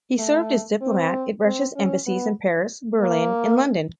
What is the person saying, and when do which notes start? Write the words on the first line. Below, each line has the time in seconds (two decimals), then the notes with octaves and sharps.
He served as diplomat at Russia's embassies in Paris, Berlin, and London.
0.19 A3
0.81 C4
1.44 C4
1.75 C#4
2.06 B3
3.00 A#3